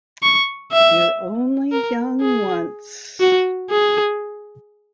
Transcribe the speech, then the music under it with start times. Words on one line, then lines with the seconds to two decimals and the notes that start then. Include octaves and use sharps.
You're Only Young Once...
0.23 C#6
0.73 E5
1.72 A#4
2.21 G#4
3.20 F#4
3.70 G#4